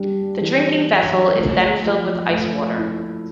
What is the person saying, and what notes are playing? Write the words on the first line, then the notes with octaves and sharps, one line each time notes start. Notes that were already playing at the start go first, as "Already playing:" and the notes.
The drinking vessel is then filled with ice water.
Already playing: G3 D4
E3
D4
A3
F3
A3
E4